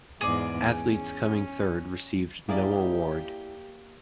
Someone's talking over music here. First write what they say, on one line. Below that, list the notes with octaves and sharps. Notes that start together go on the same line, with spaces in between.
Athletes coming third received no award.
E2 G#2 G#4 D5
C#4
A#3 E4 G4 G#4 B4 D5